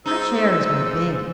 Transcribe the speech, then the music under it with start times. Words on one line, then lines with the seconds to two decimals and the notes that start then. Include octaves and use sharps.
Fresh air is my bane.
0.06 G#2 D#4 E6